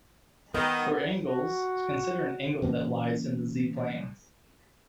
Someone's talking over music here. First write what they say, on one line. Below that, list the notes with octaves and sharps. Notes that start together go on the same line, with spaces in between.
For angles, consider an angle that lies in the z-plane.
D#3 B3
F#4
C#3 E3 A#3 C#4